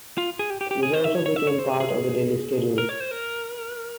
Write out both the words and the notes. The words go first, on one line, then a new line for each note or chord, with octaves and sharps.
This also became part of the daily schedule.
F4
G#4
G4
G4
G4
G#4
C5
E5
C#5
C#5
E5
C#5
C5
G#4
G#4
A#4
C#5
C5
A#4